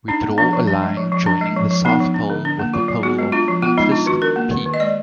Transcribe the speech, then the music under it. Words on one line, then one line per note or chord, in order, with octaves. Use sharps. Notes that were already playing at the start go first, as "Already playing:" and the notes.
We draw a line joining the South pole with the pole of interest "P".
D4 D#4
B3
F3 D4
F3
D4
G#3
F3
F3
D4
G#3
F3
F3
B3 D#4
F3
D4
D3
D4
A#3
F#3 F4
F#3
B3 F#4
G#3
D4 F4
F3
B3 F4
G#3 D#4
D4 F4
D#3 F#4
D4 A#4
A#3
D#3
D#3
D#5
G#3 D5